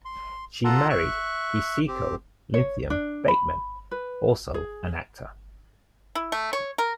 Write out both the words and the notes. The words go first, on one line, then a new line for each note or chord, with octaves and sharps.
She married Hezekiah Linthicum Bateman, also an actor.
C6
F4 A4 F#5 A5 A#5 C6
E5 C#6 F#6
C4 G4
C#5
D4
B5
B4
G#4
E4
A3
C#5
A#4